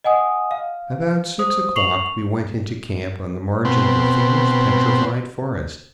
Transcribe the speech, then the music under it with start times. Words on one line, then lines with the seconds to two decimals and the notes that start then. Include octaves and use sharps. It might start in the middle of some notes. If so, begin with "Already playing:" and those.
About six o'clock we went into camp on the margin of a famous petrified forest.
0.04 D#5 F#5 G#5 D#6
0.51 F5
1.39 C5 D#6
1.76 C#6 C7 F7 F#7
3.65 B2 C4